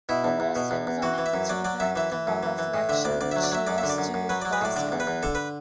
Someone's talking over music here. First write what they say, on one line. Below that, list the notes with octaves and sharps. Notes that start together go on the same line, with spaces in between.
Her lawsuit was unable to prevent the runoff election, which she lost to Garcia.
B2 E4
E2
E2
B2
E2
E2
E3 F#4
E3
E5
F#2
F#3 D5
F#3 D5
F#2 E5
E3 E5
E3
F#2
E3
E3
A2
D3 E5
D2 D5
D2 D5
F#3 E5
D5
F#3 E5
F#2 D5
E5
D3
D5
F#2
F#2
F#3 B4
F#3 D5
B4
A2 D5
D3 D5
E2
B4
E2
D3 A4
B4